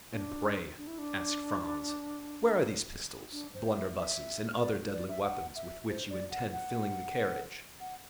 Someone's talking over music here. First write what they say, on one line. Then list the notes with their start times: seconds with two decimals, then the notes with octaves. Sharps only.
"And pray," asked Franz, "where are these pistols, blunderbusses, and other deadly weapons with which you intend filling the carriage?"
0.13 D4
0.77 D4
0.87 E4
0.99 D4
3.32 D4
3.54 C5
3.75 E5
3.96 E5
4.60 D5
4.93 D5
5.09 E5
5.24 F#5
5.56 E5
5.89 C5
6.10 D5
6.31 F#5
6.52 F#5
7.80 F#5